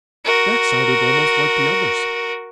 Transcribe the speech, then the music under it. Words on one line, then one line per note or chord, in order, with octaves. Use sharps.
That sounded almost like the others.
F#4 A#4